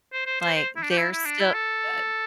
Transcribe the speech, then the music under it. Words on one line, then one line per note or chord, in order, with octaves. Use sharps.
Like, they're still, uh
C5
C5
C5
C5
E4
D4
G4
E4
E4
D4
E4
A4